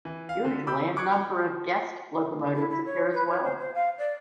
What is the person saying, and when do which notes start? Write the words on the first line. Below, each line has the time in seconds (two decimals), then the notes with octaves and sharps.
Usually a number of guest locomotives appear as well.
0.05 E3
0.29 F5
0.45 D3
0.67 B5 D6 E6 G6
0.96 C#6 D6 F#6 G#6 C#7
1.12 G5
2.55 E4
2.70 E4
2.85 C#5
3.13 B4
3.26 C#5
3.44 C5
3.58 C5
3.74 F5
3.98 D5